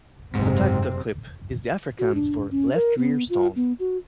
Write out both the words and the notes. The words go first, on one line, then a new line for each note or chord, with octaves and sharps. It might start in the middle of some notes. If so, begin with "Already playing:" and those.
'Hotagterklip' is the Afrikaans for 'left rear stone'.
F#1 G#2 C3 C4
F#4
D4
C#4
A#4
B3
F4
B3
F#4